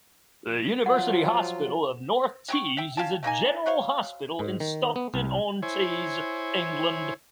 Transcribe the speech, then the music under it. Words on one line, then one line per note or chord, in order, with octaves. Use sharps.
The University Hospital of North Tees is a general hospital in Stockton-on-Tees, England.
F3 F#3 F4 F#5
F#3 G5 C#6
E5 G5
C#4 F5 G5 A5
A3 A#3 D#4 G#5
F#4 C5 C#5 F5
G#2
D#3
B3
C2
E4 C5 C#5 G#5